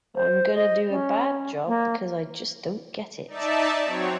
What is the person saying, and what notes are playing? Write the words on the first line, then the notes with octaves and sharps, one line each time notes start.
I'm gonna do a bad job, because I just don't get it.
C5
D#5
C#4
A#3
D#4 D5 E5 A5
F#3 C4 C#5